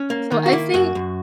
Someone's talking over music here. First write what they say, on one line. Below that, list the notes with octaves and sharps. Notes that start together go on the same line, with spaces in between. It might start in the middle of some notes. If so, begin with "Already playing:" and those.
so I think
Already playing: C#4
A#3
D#3
F#4
A#3 E4
F#2 F#4
F#2